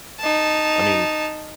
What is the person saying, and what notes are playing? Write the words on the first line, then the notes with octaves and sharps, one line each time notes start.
I mean
D#4 A5